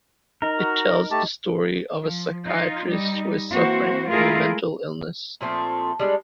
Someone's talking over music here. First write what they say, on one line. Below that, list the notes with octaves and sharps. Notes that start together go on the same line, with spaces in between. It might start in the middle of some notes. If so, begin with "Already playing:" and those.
It tells the story of a psychiatrist who is suffering from a mental illness.
D#4 A#4
F#4
A3 G4 A5
F3
D#4 F4
G3 D#4
E3 A#3 C4 F#4 C5
G#3 A3 E4 F4 G#4 A#4
A#2 F3 A3 C4
G3 G#3 D4